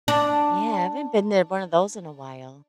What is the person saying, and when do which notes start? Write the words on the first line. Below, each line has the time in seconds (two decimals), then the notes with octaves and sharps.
Yeah, I haven't been there in one of those in a while.
0.08 D4